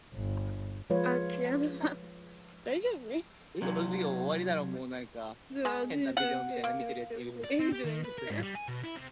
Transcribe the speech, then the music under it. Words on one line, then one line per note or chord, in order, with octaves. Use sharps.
At the advance resumed towards Hessian Trench, which was taken easily.
G1
F3 G#3 F4 B4 C#5
C3 F#3
G#3
F#5
A#3
D5
C4
G4
D#3
B4
A#4
G#2
G3
G#5
B2
E4
C3